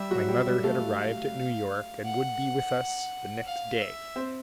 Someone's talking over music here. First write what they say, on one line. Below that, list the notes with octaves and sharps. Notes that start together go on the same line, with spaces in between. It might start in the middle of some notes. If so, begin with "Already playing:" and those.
My mother had arrived at New York, and would be with us the next day.
Already playing: G3 G4 E5
F#3 F#4
G3 G4
G3 G4
A3 A4 F5
F#5
F5
E5
C4 C5